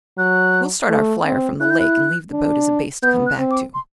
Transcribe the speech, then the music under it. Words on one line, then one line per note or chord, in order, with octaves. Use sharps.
"We'll start our flier from the lake and leave the boat as a base to come back to."
F#3 F#6
A3
C4
E4 F#6
G6
F#6
D4
B3 G6
F#6
C4
D6
C6